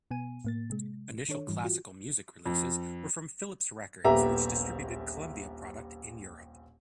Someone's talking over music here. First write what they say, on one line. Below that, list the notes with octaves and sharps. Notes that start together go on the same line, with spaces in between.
Initial classical music releases were from Philips Records which distributed Columbia product in Europe.
B2 B3 G#5 D#7
A2 A#3 A6
C3 G#3
D#3 D4 A4 C#5
G#2 E3 G3
F4 F#4
F2
D#1 A#1 B3 G4 E5 A#5